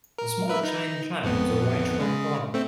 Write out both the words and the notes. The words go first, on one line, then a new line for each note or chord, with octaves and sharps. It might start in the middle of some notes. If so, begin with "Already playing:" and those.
The small child climbs a white rock wall.
A#4
A#4 B4 E5
D#4
G#1 F2 B3
C#3 G#3
A3 C4